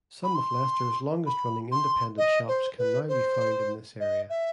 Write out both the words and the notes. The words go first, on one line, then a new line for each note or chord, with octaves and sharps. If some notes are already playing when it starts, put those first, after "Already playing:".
Some of Leicester's longest running independent shops can now be found in this area.
B5
C6
B5
C6
D#5
C5
B4
C5
D#5
E5